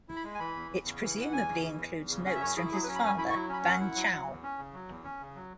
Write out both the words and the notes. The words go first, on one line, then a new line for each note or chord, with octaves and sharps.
It presumably includes notes from his father Ban Chao.
E4
B5
G#3
G#5
E3 B5
E2
E2
C#3
E3
E2 F#5
E2 G#5
C#3
E3
E2
E2
C#3
C#4 F#5
E5
F#2 C#5
E4 G#4
F#3 G#4
B4
C#4
B5
F#2 G#5
E4 B5
C#6
F#3
C#4 B5
F#2 F#5
E4
F#3
F#3
E2
C#4
C#3
F#3
E2
C#4
C#3
F#3